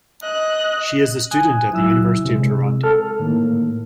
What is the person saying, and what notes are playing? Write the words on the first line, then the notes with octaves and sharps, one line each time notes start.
She is a student at the University of Toronto.
D#5 F#6
G#5 D#6 F#6
C#2 F#3 E4 E6
C3 G#3
A4 F6
A2 D#3 A#3